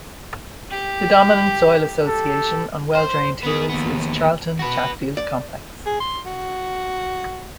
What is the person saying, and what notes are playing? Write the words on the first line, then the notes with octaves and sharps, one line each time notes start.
The dominant soil association on well-drained hills is Charlton-Chatfield complex.
G4
G4 A4
C5
B3 G#4
D#2 B3
F#4 B4
D5
G#4
C6
F#4